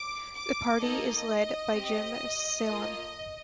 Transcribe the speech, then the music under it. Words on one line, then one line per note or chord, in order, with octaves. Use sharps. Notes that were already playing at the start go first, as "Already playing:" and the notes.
The party is led by Jim Saleam.
Already playing: D6
D6
A#3 D#4 A4 D#5
C4 G4
A#3 F4 A4